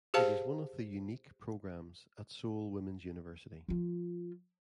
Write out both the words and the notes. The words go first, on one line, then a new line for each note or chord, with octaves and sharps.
It is one of the unique programs at Seoul Women's University.
G4 G#4 C5 F5 A5
F3 F4